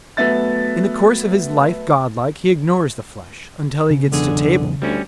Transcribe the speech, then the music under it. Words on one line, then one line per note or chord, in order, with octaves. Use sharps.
In the course of his life godlike he ignores the flesh--until he gets to table.
F#3 A3 B3 E5 A6
C#3
B1 E2 D3 G#4
D2 G3 C#4